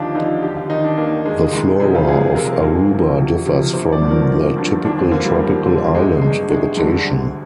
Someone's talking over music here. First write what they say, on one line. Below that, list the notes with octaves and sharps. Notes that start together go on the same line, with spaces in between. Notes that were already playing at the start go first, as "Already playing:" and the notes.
The flora of Aruba differs from the typical tropical island vegetation.
Already playing: D#2 D3 F3 D4 D#4 F4 G4
D3 F3 D#4
D#2 G4
F4
D#3 D#4
D4
D#2 A#3
D#3 G#3
C2 G#3
C3 F3 G#3
F4
C2 G#4
C3 F3 A#4
D2
C3 F3
D2
C3 F3
G1 C5
D5
G2 D3 F3
A#4
G1
G2 D3 F3
D#2 D4
C4
D3 F3 A#3
G3
D#2
D3 F3
G1 G#3
G2 D3 G#3
G1 G#3
G2 D3
D2